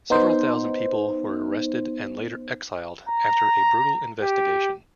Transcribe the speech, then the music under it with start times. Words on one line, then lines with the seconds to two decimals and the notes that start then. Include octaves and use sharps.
Several thousand people were arrested and later exiled after a brutal investigation.
0.10 B3 D#4 C5
3.09 A#5
4.22 G4